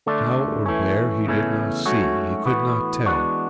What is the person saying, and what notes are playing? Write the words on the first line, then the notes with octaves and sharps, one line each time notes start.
How or where he did not see, he could not tell.
D3 A3 D4
E3 A3 C#4
E2 C#3 E3 A3 C#4
G#2 F#3 A3 C#4 F#4
A2 E3 B3 F#4
E3 G#3 B3 D4 F#4